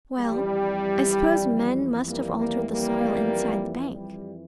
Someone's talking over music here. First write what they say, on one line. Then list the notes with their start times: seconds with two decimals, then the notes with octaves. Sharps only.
Well, I suppose men must have altered the soil inside the bank.
0.19 F2 E3 G3
2.06 G3 A#3
2.37 G3 A#3
2.68 G3 A#3
3.92 F2 E3 G3